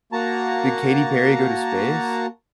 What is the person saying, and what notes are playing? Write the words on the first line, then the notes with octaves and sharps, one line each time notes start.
Did Katy Perry go to space?
A#3 F#4 A5 A#5